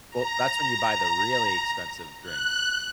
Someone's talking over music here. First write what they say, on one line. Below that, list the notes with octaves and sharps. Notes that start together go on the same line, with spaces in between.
Well, that's when you buy the really expensive drink,
A#5
F#6